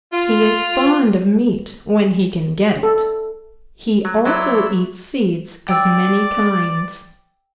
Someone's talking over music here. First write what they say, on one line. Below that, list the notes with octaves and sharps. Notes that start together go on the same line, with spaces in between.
He is fond of meat when he can get it. He also eats seeds of many kinds.
F4
A4
F#3
F#3 E4 C#5 D5 C6
D5 G5 E6